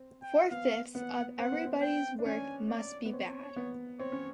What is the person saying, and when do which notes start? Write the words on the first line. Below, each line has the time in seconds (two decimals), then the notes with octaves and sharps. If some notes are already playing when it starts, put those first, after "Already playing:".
Four-fifths of everybody's work must be bad.
Already playing: C4
0.22 G5
0.51 B3 F5
0.95 B3 F#5
1.38 C4 F#5
1.52 B3
1.66 C4
1.82 G5
2.19 D4
2.26 C#4 G#5
2.69 D5
3.05 B3
3.13 C4 C#5
3.56 B3
3.99 C4 C#5
4.12 C#4